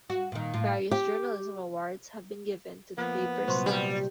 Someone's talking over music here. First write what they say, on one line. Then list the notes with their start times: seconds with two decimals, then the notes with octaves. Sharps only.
Various journalism awards have been given to the paper's staff.
0.10 F#4
0.32 A#2 D#3
0.54 A2 F4
0.91 G4
2.98 F3 A#3 B3 B4
3.48 C2 A#2 F#3 C5 C6
3.66 G3